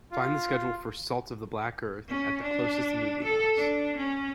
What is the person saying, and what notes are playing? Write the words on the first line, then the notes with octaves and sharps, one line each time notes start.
Find the schedule for Salt of the Black Earth at the closest movie house.
F4
C#4
D4
A4
D4
C#4